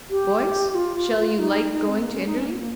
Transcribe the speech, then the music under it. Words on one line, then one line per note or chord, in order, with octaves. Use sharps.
Boys, shall you like going to Enderley?
G4
F4
D#4
D#4
C4
A#3
C#4
D#4
C#4
A#3
C4
A#3